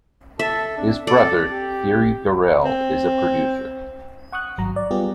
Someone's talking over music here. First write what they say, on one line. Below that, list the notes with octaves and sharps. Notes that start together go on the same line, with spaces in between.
His brother, Thierry Garrel, is a producer.
A4 E5 A5
C4 D4
C4 A4 D5
G4
C4
F#5 C#6 D#6 F#6
G#1 F#3 A#5
D5
G3 B3 F4 G4 G#4